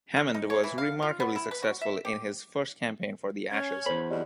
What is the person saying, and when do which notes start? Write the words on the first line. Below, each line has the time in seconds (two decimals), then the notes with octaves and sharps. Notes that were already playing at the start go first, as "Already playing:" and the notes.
Hammond was remarkably successful in his first campaign for The Ashes.
0.16 A#4
0.35 D#4
0.50 C#5
0.64 E3
0.78 F5
1.03 F4
1.20 B3
1.36 E4
1.51 B4
1.62 F#4
1.81 E5
2.05 G4
3.50 C#4 G#6
3.86 E2 C5 B5
4.10 F2 F#3 G3 G4 D5 D#5